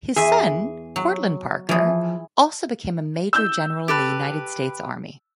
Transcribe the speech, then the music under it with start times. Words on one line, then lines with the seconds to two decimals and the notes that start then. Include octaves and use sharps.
His son, Cortlandt Parker, also became a major general in the United States Army.
0.16 E2 G#4 E5 G#5
0.96 F#3
1.69 E3 F3 G#4
3.33 E6 G6
3.88 G4 A4 B4